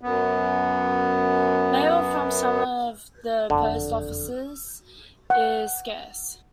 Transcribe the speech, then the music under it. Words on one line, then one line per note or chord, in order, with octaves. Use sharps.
Mail from some of the post offices is scarce.
F#2 B3
F#1 F2 D3
F#5